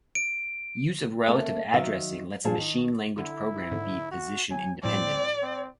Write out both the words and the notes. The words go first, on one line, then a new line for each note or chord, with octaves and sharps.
Use of relative addressing lets a machine-language program be position-independent.
D7
A3 A#3 C#4
D#3 F#3 E5 F5
A#2 F3 G#4 A5
D#3
D3 E4
G#2 D3
F#4
F#3 G#5
A2 F3 G3 C4 D5
C4